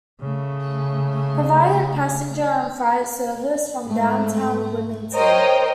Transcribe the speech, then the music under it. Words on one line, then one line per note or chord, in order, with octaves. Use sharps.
Provided passenger and freight service from downtown Wilmington.
C#3 A3
G#2 A3
A#4 C5 C#5 D#5 G5